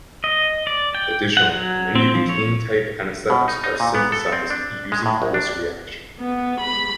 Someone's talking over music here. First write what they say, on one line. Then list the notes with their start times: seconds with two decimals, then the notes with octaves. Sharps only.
Additionally, many of the "caine"-type anesthetics are synthesized using this reaction.
0.24 D#5
0.67 D5
0.95 G5
1.37 F#5
1.52 F#3
1.95 C4
2.14 F3
2.29 C#5
3.30 B2
3.48 D#4
3.64 D#4
3.80 A#2
3.95 B3
4.12 A4
4.32 C4
4.50 D4
4.92 G#3
5.06 A2
5.22 A#1
5.34 D4
6.20 B3
6.60 B5